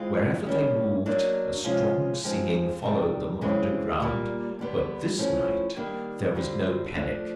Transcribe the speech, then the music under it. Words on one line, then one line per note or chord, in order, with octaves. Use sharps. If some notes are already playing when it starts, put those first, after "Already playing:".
Wherever they moved a strong singing followed them underground, but this night there was no panic.
Already playing: E3 G#3 C4 F4
G3 A#3 C#4
F#3 A#3 D4
C3 F3 G#3 C#4 F4
F3 G#3 C4 D#4
C3 D#3 G3
C#3 E3 G#3 C4
A#2 G3 A#3
D3 G3 B3
F3 A3 C#4 E4
D#3 G3 A#3 D4
D3 G3 C4 F4
F3 A3 D4